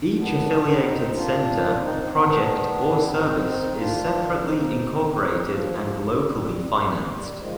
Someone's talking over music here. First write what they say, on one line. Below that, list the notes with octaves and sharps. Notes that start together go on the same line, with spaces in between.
Each affiliated center, project or service is separately incorporated and locally financed.
F2 D#3 B3 D4
G#2 D#3
G#2 D#3 C4 D#4
G#2 D#3 D4 F4
G#2 D#3
G#2 D#3 C4 D#4
C4
G#2 D#3 B3 D4
G#2 D#3
G#2 D#3
G#2 D#3 C4 D#4
G#2 D#3
G#2 D#3 D4 F4
G#2 D#3
F2 D3 C4 D#4
F2 D3
F2 D#3 C4 D#4
F2 D#3 F3
F2 D3
F2 D3 G3
G2 D#3 G3
G2 D#3
G#2 D#3 G3
D#3 F3 G#3